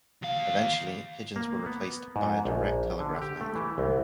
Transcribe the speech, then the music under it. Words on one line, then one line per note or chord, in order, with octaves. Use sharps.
Eventually, pigeons were replaced by a direct telegraph link.
D#2 F5
A#3
B3
G#2
A#1
D3
G4
A3
E3
C2